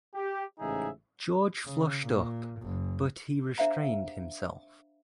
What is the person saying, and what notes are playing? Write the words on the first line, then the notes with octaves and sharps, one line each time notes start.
George flushed up, but he restrained himself.
G4
A1 G#2 C#3 D#4 G#4 E5
C#3
A#2
F#1
D4 C5 E5 F5 A#5